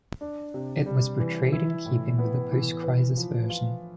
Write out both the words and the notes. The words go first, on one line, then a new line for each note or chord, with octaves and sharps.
It was portrayed in keeping with the post-Crisis version.
D4
C3
G3
E3
E4
A2
B3
E3
B4
F3
F4